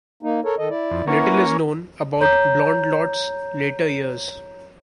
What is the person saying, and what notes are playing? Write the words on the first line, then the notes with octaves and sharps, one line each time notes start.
Little is known about Blondlot's later years.
A#3 D#4
A4 A#4 C#5
D#3 A4 D#5
E4 D5
F2
A#3 C#4 E4 B4 F#5
C#5 A#5 G6